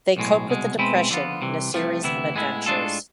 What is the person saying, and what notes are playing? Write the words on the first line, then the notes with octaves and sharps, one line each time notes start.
They cope with the Depression in a series of adventures.
B1 A2 G#3
C2 B2 G#3
B2 G#3 C4 E4 B4
D3 F3 B3 F4
C2 C3 E3
C2 C3 F3 A3
D2 C3 E3 B3 E4
A2 G#3 B3 E4
A2 G#3 D4 F4 A4